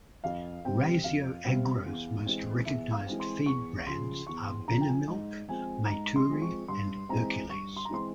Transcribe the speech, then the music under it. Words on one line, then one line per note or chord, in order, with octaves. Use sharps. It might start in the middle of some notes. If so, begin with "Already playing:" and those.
Raisioagro's most recognised feed brands are Benemilk, Maituri and Hercules.
F2 F5
C3 G3 C4 G5
F2 F5
C3 G3 C4
E2
E3 G#3 C4
E2 E5
F5
E3 G#3 C4
C6
E2 C#6
C#3 F3 C6
E2 C#6
C6
C#3 F3 A#5
G5
G#5
G#2
F3 G#3 C4 G#5
G#2 A#5
C6
F3 G#3 C4
C#6
G2 C6
E3 G#3 C4 A#5
G2 C#6
C6
A#5
E3 G#3 C4 C6